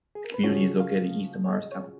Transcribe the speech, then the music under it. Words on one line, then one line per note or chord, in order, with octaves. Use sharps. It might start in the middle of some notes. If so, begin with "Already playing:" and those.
The community is located east of Morristown.
G#4
A#4
B4
C#3 F3 G#3 C#4 F#4 C#5
F5
C#5
D#5
C#5